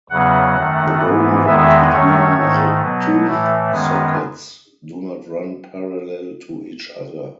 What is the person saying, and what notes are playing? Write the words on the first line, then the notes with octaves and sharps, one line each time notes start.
The bone walls between the tooth sockets do not run parallel to each other.
E2 C#3 F#3 B3 F#5
F#2 D#3 A3
G#2 E3 B3
E2 D#3 G#3 B3 E5
F#2 D#3 A3 C#5
G#2 D#3 A3
B2 F#3 B3
A2 E3 A3
F#2 D#3 G#3 B3